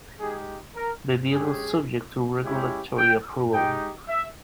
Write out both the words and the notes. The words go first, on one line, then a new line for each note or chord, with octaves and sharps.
The deal is subject to regulatory approval.
G#3 D#4 G4 G#4
A#4
G#3 C#4 G4 G#4
G#3 C#4 E4 G4
G5
G#3 D#4 G4 G5
E5